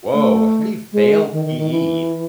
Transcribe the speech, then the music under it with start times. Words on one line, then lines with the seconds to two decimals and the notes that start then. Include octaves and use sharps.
Woah! How do you fail PE?
0.14 A3
0.92 G#3
1.32 D#3
1.45 D#3
1.58 D#3
1.71 E3